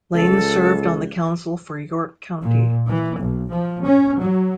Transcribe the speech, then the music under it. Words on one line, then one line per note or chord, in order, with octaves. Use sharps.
Lane served on the council for York County.
C#2 A4
A#2
E3
B1
F3
C#4
F#3